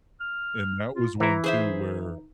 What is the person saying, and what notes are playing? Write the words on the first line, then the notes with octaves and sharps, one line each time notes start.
And that was one too where
F6
F4
E3 E4 A#5
D#4 G#4 C5 E5